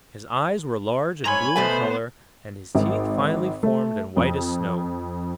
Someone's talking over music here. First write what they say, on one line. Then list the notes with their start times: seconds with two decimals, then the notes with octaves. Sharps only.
His eyes were large and blue in color and his teeth finely formed and white as snow.
1.25 G#2 C#5 G#5 A#5 B5
1.56 B2 A3 B3 C5 G#5
2.75 G#1
3.63 A3
4.17 F2